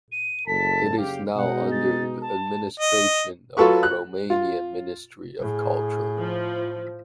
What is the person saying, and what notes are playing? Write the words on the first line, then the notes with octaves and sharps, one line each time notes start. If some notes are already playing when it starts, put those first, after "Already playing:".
It is now under the administration of the Romanian Ministry of Culture.
D#7
F#1 A4 A5 B6
F#1 C#3 G4 F5
B2 G#3 D#4 F#5
A6
A5
D#5
F#3 F4 A4 B4 C#6
F#6
F4
A2 G#4
F3